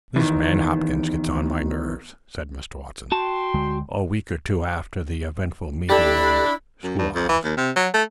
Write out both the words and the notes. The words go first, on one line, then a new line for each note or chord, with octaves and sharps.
"This man Hopkins gets on my nerves," said Mr. Watson, a week or two after the eventful meeting in the school-house.
E2 D#3
F#4 G5 A5 C6
D2 D3 G#3
D4 E4 G4 A4 D5 B5
F#2
G2
F2
E3
D#2
C3
F#3
A3